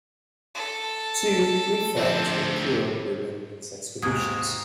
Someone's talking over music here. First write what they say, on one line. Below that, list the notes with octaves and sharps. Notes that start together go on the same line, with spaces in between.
Two prefects were killed during these expeditions.
A4
D2 F3 C4
D#2 G#2 D#6 G#6